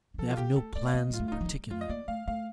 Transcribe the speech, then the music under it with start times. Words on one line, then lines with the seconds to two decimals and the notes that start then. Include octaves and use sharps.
They have no plans in particular....
0.14 D#3
0.18 F3 A4
0.30 F4
0.37 G3 G4
0.56 A3 A4
0.75 A3 D5
0.87 F5
0.94 A#3 D#5
1.10 G3 F4
1.20 A3
1.28 F4
1.32 D#4
1.41 F3
1.45 G3
1.71 A3 F4
1.81 D#5
1.89 A#3 D5
2.08 A3 F5
2.28 A3 F5